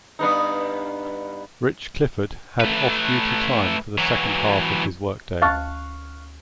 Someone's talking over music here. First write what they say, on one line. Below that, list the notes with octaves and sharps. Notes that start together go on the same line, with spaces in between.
Rich Clifford had off-duty time for the second half of his work day.
G2 B3 D#4
A3 B4
E3 F#3
D2 F5 A5 C#6 F#6 A6